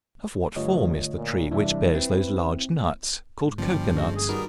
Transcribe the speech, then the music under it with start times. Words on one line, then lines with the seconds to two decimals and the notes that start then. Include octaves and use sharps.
Of what form is the tree which bears those large nuts, called Cocoa nuts?
0.56 G2 D3 A3 F4 C#5 D#5
1.17 A#2
1.51 C3 E3 G3 D4 E4 E5
1.95 C4 B4
3.45 G#2
3.58 G1 F3 G3 A#3 C#4
3.95 D3 G#3 F#4
4.15 G#4
4.29 D#3 G3 F#4 A#4 B4